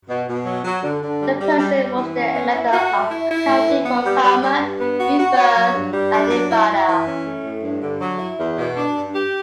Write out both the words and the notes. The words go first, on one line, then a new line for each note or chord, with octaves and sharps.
The "person" was their method of accounting for karma, rebirth, and nirvana.
B2
B2
F#3
F#3
D3
D3
G3
G3
G3
G3
E3
C#4
B3
E4
F#4
A3
E4
E4
A2
E3
B3
G3
G3
G3
G2
B3
F#4
F#4
C#5
F#3
G2
G3
D4
F#3
E4
E4
E3
C#4
A3
A2
G2
D3
F#3
E4
E2
B2
D4
G2
G4